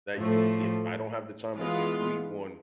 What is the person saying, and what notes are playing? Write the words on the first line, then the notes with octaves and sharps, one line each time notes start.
that you "If I don't have the time to complete one,"
A2 F3 A3
E3 G#3 B3 F4